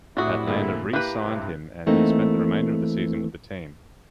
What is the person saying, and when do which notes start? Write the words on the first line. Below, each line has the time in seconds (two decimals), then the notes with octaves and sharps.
Atlanta re-signed him, and he spent the remainder of the season with the team.
0.17 A2 C4 D4 E4 F#4 G4 E5 D#6
0.47 D3 A#3 G#4
0.93 A#3 E4 G4 B4 B5 F#6 G6
1.22 G2 C3
1.86 E3 A3 A#3 C4 D#4